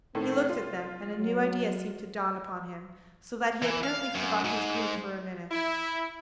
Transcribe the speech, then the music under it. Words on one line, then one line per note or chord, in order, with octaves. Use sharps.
He looked at them and a new idea seemed to dawn upon him, so that he apparently forgot his grief for a minute.
A2 D#3 A3 C4
C2 F4
F#3
E3
F5
F#2
G#2
E4